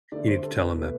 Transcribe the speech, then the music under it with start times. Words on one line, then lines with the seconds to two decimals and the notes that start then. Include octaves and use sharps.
You need to tell him that
0.12 D3 A3 D5
0.28 C5
0.43 A4
0.59 B4
0.75 B2 A3 B4